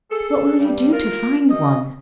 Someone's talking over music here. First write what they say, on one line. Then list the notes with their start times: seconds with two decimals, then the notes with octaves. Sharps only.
What will you do to find one?'
0.10 G#4 A4
0.59 G2 G3
0.92 F4 A#4
1.49 F#2 D#5